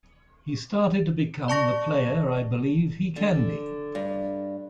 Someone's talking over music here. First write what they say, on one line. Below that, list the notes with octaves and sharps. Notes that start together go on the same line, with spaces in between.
He started to become the player I believe he can be.
D5 A5 C#6 A#6
D3
G2